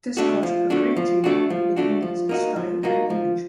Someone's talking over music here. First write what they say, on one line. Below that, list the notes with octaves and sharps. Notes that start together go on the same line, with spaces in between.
This caused a great change in Bikini's style and image.
A3 D4 F#4
F3
A3 D4 F#4
F3
A3 D4 F#4
F3
A3 D4 F#4
F3
A#3 D#4 F#4
F3
A#3 D#4 F#4
F3